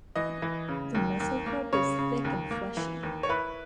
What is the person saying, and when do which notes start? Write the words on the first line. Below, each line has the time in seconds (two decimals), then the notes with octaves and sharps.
The mesocarp is thick and fleshy.
0.16 E3 D#5
0.42 E3
0.69 C#3
0.95 D#2
1.20 D#2
1.46 A#3
1.73 C#3 C#5
1.99 C#3
2.25 D#2
2.51 A#3
2.77 E3
3.03 D#2
3.23 C#5
3.29 E4 B4